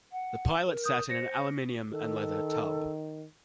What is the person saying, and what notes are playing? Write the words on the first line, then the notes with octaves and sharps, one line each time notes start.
The pilot sat in an aluminium-and-leather tub.
F#5
A#4
D#6 G6
C5 A#6 C#7
D#3 A4